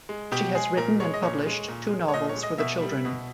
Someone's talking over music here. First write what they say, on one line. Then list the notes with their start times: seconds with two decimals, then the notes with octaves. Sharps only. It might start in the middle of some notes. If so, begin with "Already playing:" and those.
She has written and published two novels for the children.
0.09 G#3
0.32 B2 G4
0.55 G#3 G#4
0.77 A#2 A#4
1.00 G#3 C#5
1.14 D#5
1.23 A#2 C#5
1.46 G#3
1.68 A#2
1.90 G#3
2.08 C#5
2.14 A#2 D#5
2.29 C#5
2.36 G#3
2.43 D#5
2.58 B2 E5
2.81 G3
3.05 B2